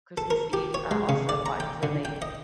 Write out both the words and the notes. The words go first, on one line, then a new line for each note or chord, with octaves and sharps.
Christmas Eve, I also like to make,
A4
A#4
G4
C#5
G#3
C#3
D5
A#5
G5
D3
G5
D#5